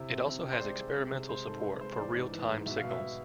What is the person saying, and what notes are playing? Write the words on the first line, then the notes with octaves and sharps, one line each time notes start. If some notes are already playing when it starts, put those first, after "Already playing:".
It also has experimental support for real-time signals.
Already playing: C3 E4
C4
C3
C4
C5
G#3 D5
G#3
C4
C3
G#3 C5
G#2 A4
C5
G#2 B4
G#3 C5
C5
E3 D5
G#2
E3
G#2
B2 E5
F5
B2
E5
B2